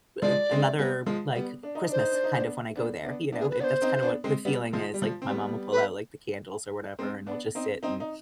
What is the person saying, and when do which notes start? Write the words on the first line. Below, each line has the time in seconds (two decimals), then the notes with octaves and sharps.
a another, like, Christmas kind of when I go there, you know? It that's kind of what the feeling is. Like, my mom will pull out like the candles or whatever and I'll just sit and
0.22 F3 G#3 D5
0.51 G#3 C4
0.79 G3 B3
1.06 F3 G#3
1.35 G3 B3
1.63 D4
1.75 D#4
1.88 D4 C5
2.00 D#4
2.12 D4
2.24 D#4
2.36 B3 D4
2.76 B3 D4
3.04 B3 D4
3.32 B3 D4
3.40 G#4
3.50 B4
3.60 B3 D4 D5
3.64 C5
3.82 C4 D#4
4.03 B3 D4
4.24 G#3 C4
4.45 G3 B3
4.73 F3 G#3
4.94 G3
5.02 F3
5.22 C4
5.29 G3 B3
5.72 B4
6.99 G#3 C4
7.27 B3 D4
7.55 C4 D#4
7.83 C4 D#4
8.00 D#4